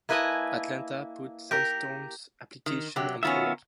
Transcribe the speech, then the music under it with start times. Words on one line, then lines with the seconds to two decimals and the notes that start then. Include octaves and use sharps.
Atlanta put Sandtown's application on hold.
0.09 A#3 E4 B4 D#5 G#5 A5
1.51 G4 A#4
2.66 D#3
2.96 C3 F#3 G4
3.23 D#3 F#3 B3 C#4 F4 E5